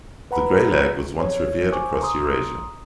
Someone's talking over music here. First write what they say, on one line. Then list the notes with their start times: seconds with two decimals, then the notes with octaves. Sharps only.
The greylag was once revered across Eurasia.
0.31 B4 F#5 A#5 B5
1.20 C#5
1.73 C5 G#5 C#6 D6
2.02 A#5 C6 D#6